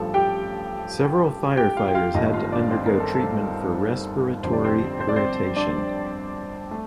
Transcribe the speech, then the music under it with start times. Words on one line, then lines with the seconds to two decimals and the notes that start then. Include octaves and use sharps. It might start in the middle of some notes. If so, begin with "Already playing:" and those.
Several firefighters had to undergo treatment for respiratory irritation.
Already playing: A1 G2 F3 A4 A5
0.14 G4 G5
1.57 G4 G5
1.77 F4 F5
1.88 G5
1.95 F4 F5
2.14 G1 G2 D#3 A3 D#4 D#5
2.33 F4 F5
2.52 D4 D5
2.71 C4 C5
2.86 A#4
3.00 A4
3.15 A4
4.43 G1 F2 D3 G3 C5
4.53 D5
4.64 C4 C5
5.00 C5
5.09 D5
5.16 C4 C5
5.57 D4 D5
6.71 A3